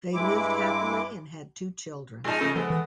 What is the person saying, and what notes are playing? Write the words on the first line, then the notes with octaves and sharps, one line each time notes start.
They lived happily and had two children.
G2 G#3 E4 D6
G#2 F3 G#3 D#4 A5
C#3 F3 A3
F3 G#3 A3 B3
E3